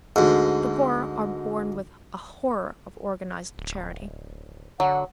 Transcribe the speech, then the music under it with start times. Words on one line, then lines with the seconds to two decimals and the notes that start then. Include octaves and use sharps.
The poor are born with a horror of organized charity.
0.16 D2 G#2
3.58 D1
4.80 D3 F#3 F#5